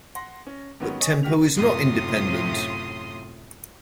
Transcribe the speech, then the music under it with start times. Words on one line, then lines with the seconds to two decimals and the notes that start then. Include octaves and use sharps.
But tempo is not independent!
0.15 F#5 C6 A#6
0.47 C#4
0.80 G#2 D#3 F#3 B3 C#4
1.00 C#5 D#5 G#5 C#6 D#6
1.23 G#3 F#4 G4 F6 B6 F7
1.55 F#2 A2 C3 F4 C6 D#6